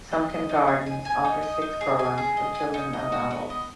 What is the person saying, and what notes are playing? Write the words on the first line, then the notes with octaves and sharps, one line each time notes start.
Sunken Gardens offers six programs for children and adults.
D#5
D#5
D#4
G#4
G#5
G#5
D#4
D#5
D#4
G#4
G#5
G#4
D#5
G#5
D#4
D#5
F#4
B3
D#5